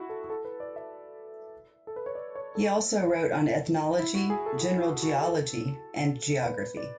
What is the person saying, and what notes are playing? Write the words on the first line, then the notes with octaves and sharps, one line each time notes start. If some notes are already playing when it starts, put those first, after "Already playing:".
He also wrote on ethnology, general geology, and geography.
Already playing: E4 F#4
A4
A4
B4
D5
E5
A4
B4
C#5
D5
C#5
A4
E4
F#4
G#4
A4
F#4
E4
F#4
F#4
A4
B4
D5